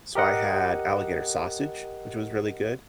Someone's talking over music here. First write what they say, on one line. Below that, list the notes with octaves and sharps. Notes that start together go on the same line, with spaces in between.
So, I had alligator sausage, which was really good.
G4 A#4 D#5 F#5